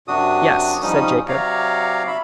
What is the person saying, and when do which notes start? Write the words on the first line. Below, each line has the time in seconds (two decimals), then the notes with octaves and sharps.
"Yes," said Jacob.
0.08 F#2 C3 D4 F#4 D#6
0.82 G#2 F3 G3 C#4 D#4 D#6
1.28 C3 F#3 C#5 D5 F5 A#5
2.07 E5 B5